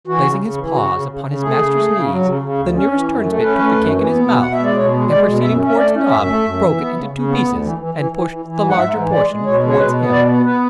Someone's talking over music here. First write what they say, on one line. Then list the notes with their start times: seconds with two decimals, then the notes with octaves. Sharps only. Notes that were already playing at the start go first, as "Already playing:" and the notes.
Placing his paws upon his master's knees, the nearest turnspit took the cake in his mouth, and proceeding towards Nob, broke it into two pieces, and pushed the larger portion towards him.
0.07 E3 F#4
0.23 C#3
0.40 C#3
0.58 E3
0.74 C#3 F#4
0.90 C#3
1.08 C#3
1.24 C#3
1.42 A3 G#4
1.57 C#3
1.74 A3
1.91 C#3
2.08 F#3
2.25 C#3
2.42 C#3
2.58 D2
2.75 C#4
2.92 E3
3.09 F#2
3.26 A3
3.42 C#4 B4
3.59 A3
3.75 F#2
3.92 E3
4.09 B3
4.26 B2
4.40 B2 F#5
4.52 E5
4.59 G#3 D5
4.76 B2 C#5
4.93 G#3
5.09 G#3 D5
5.27 B2
5.43 F#2 E5
5.59 C#4
5.68 E5
5.77 A3 D5
5.93 C#4
6.10 F#2 E5
6.27 A3
6.44 F#2
6.60 E3
6.77 B3
6.94 C#3
7.10 C#3
7.28 B3
7.45 D2
7.61 E3
7.78 E3
7.95 E3
8.12 E3
8.29 E3
8.45 E3
8.61 G#2
8.69 F#5
8.78 G#2 E5
8.95 E3
9.12 G#3 D5
9.28 G#3
9.46 B2 C#5
9.63 G#3
9.70 C#5
9.79 B2 B4
9.95 B3
10.12 B2 D5
10.29 B3
10.45 B3 B4